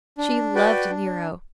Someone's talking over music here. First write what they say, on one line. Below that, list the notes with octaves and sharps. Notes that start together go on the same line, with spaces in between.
She loved Nero.
D4
F#4 B4 D5 G5
D4